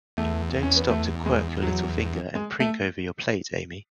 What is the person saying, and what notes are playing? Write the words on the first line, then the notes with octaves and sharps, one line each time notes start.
Don't stop to quirk your little finger, and prink over your plate, Amy.
E2 A3
C#4
B3
A3
G#3
F#3
G#3
A3